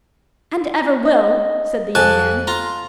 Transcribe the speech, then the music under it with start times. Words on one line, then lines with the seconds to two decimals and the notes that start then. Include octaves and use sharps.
'And ever will!' said the young man.
1.05 D#5
1.95 F2 G#5 A5 F#6
2.47 F4 A#5